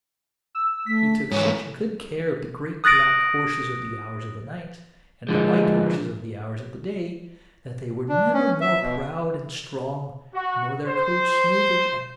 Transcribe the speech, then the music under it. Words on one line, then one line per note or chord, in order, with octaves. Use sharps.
He took such good care of the great black horses of the Hours of the Night, and the white horses of the Hours of the Day, that they were never more proud and strong, nor their coats smoother and more gleaming.
E6
A3 B6
G#2 E3 C#5
D#6 F#6 A6 A#6 D7
D3 F3 G#3
D4
C#4
E5
B2
F#4
C5